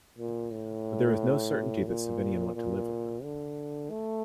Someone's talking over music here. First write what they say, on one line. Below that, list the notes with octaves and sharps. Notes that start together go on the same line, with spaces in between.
But there is no certainty that Savinien went to live with them.
A#2
A2
A#2
A#2
D3
A3